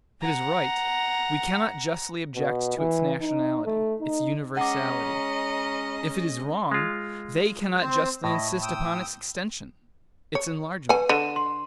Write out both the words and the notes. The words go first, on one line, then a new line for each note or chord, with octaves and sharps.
If it is right, we cannot justly object to its nationality its universality; if it is wrong, they cannot justly insist upon its extension--its enlargement.
F#5 A#5
B2
E3
D#4
A3
D#4
G#3 C#4 D#5 F#5 A#5 D6
G#3 F4
C4 C5
A2 E4 D#5
G5 D#6 E6
C#5
B4 F#5 G#5
D3 D#7 E7
C6